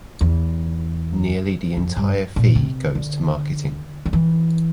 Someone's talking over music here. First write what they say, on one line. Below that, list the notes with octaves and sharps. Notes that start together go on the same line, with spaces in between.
Nearly the entire fee goes to marketing.
E2
F2
G2
A#2
C3
D3
D3
E3